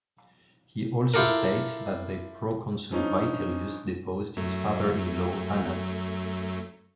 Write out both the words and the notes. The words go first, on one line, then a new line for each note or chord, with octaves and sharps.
He also states that the proconsul Vitellius deposed his father in law, Annas.
E4 F4 G4 A4 A#4
G2 F3 C#4 D#4
F#2 F#3 A3